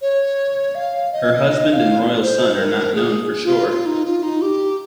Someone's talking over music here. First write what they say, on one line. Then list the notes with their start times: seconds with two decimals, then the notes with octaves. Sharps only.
Her husband and royal son are not known for sure.
0.02 C#5
0.75 F5
1.12 D#5
1.49 D#5
1.73 F5
2.13 A#4
2.22 C5
2.58 A#4
2.95 G#4
3.44 F4
3.69 F4
3.86 D#4
4.05 F4
4.23 D#4
4.42 G4